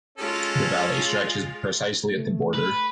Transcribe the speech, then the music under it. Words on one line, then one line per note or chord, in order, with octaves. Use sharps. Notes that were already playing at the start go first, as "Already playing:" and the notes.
The valley stretches precisely at the border.
G#3 C#4 F4 A4
A3
B4